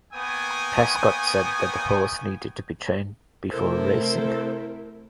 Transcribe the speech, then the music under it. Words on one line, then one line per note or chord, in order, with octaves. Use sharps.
Prescott said that the horse needed to be trained before racing.
A#3 B3 G5 G#5 C#6 D#6
C3 A3 E4 A4 A#4 C5